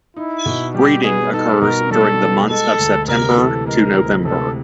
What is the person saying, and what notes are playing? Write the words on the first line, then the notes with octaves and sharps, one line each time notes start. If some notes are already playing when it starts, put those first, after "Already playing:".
Breeding occurs during the months of September to November.
D#4 E4
B2
G3 G4
B3 G#4
D#4 A4
B2 A#4
G3 A4
B3
G#3 A4
D2
C3 A#4
E3 A4
G#3 A#4
D2
C3 A4